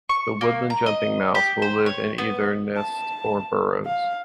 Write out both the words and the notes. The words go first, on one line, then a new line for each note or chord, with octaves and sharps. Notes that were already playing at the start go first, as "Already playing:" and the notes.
The woodland jumping mouse will live in either nests or burrows.
C#6
A#3
A#5
D#5
G4
C5
C#5
B3
A5
F5